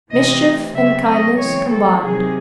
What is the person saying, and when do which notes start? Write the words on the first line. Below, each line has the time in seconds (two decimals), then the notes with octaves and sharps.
Mischief and kindness combined.
0.11 C3 E3 A3 C4 D#5
0.75 C#3 F#3 C4 E5
1.07 D#5
1.39 E3 G#3 C4 C#5
1.70 A4
2.02 C3 D#3 F#3 G#4